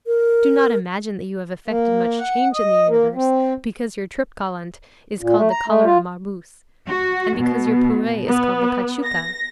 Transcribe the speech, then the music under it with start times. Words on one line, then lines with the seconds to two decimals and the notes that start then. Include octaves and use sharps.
Do not imagine that you have effected much change in the universe, because your trip-gallant is called the cholera-morbus, and because your pourree is called the cachuca.
0.07 A#4
1.68 A#3
2.19 F#5
2.53 D#5
2.88 A#3
3.15 C4
5.21 A#2
5.37 A3
5.51 A#5
5.68 A3
5.85 F4
6.87 F#4
7.37 B2
8.28 B3
9.05 A#6